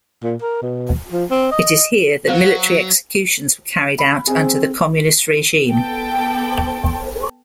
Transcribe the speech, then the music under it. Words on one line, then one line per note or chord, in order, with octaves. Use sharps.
It is here that military executions were carried out under the communist regime.
A#2
A#4
B2
F3
C4
D#5
F#3 C5 F5
B5
C4 G#4
B3 A4 G5 A5